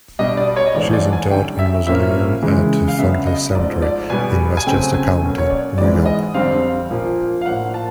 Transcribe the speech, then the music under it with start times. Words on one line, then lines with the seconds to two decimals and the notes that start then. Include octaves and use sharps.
She is interred in a mausoleum at Ferncliff Cemetery in Westchester County, New York.
0.19 B2 G3 B3 D4 D#5
0.37 D5
0.56 C#5
0.66 D#5
0.74 G#2 E3 A3 D4 D5
0.93 D5
1.13 G#5
1.31 F#2 D3 G3 G5
1.59 E5
1.87 A2 F3 A#3 C#4 E5
2.42 C#3 E3 G#3
2.88 F5
2.98 C#3 F#3 B3 D4 E5
3.26 D#5
3.55 G#2 F3 A3 D5
3.82 D5
4.10 B2 G3 B3 G#5
4.57 G#5
4.67 C#3 F#3 A3 C4 G5
4.94 G#5
5.22 B2 F#3 A#3 C#4
5.38 C#5
5.50 D5
5.78 G#2 E3 G#3 B3 D5
6.05 D#5
6.34 F2 D3 G3 C4 F5
6.90 A#2 F3 A#3
7.41 F5
7.46 A2 F3 A#3 D4 F#5
7.74 A5